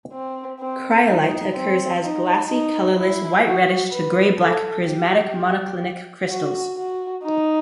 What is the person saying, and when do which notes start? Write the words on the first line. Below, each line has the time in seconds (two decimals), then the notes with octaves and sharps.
Cryolite occurs as glassy, colorless, white-reddish to gray-black prismatic monoclinic crystals.
0.13 C4
0.60 C4
1.08 D#4
1.55 C4
2.02 D#4
2.49 D#4
2.97 E4
3.45 F#4
3.92 B4
4.39 A4
4.86 G4
6.29 F#4
6.77 F#4
7.23 D#4